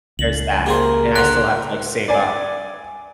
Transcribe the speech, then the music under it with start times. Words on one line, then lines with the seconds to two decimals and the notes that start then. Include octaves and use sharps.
there's that, and I still have to, like, save up.
0.19 C#2 F#7
0.66 A#3 G4 G#4 A#4 C5
1.16 D3 F4 D5 F#6
2.08 D5 G#5